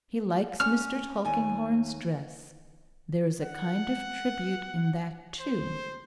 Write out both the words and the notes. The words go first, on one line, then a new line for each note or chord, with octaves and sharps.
He likes Mr. Tulkinghorn's dress; there is a kind of tribute in that too.
C#4 F6
D#2 G#5
F#5
C5